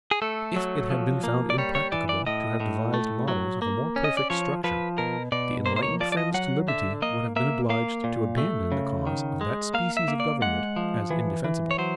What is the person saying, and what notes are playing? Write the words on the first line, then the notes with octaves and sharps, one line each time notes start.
If it had been found impracticable to have devised models of a more perfect structure, the enlightened friends to liberty would have been obliged to abandon the cause of that species of government as indefensible.
G#4
A3 A4
F#3
F3
A#3
D5
G3 C#5
C#5
E3 D5
D5
A2 D#5
A2
A3
F#3
A#3
C#4
D#5
D5
F3 C#5
F3 B4
B2 A#4
B2 D5
A#3 C5
C5
C#5
F3 D5
D5
D#5
F#3 F#5
D3 E5
A#3 D#5
A#3 E5
A#3 F5
A#2
A3
C#3
D#3
G#3
A#3 F5
E5
A#3
D5
G#3 F#5
F3
E3
E3
C#5
F#3 C5